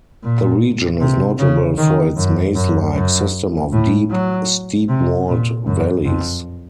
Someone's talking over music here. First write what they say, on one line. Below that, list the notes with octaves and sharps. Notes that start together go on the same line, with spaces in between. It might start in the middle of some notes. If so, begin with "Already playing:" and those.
The region is notable for its maze-like system of deep, steep-walled valleys.
A#2
C3
C#3
D#3
F#2
F#2
F#2
A2
F#3
C3
A#2
F#2
F2